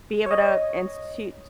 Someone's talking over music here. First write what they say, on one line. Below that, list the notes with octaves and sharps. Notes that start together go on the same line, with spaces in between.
be able to institute
C#5 D#5